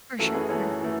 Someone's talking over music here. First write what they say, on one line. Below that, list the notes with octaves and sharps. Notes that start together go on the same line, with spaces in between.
For sure.
F#2 E3 A3 F#4 A4
G#4 B4
F#2 E3 A3 A4 C#5
E3 A3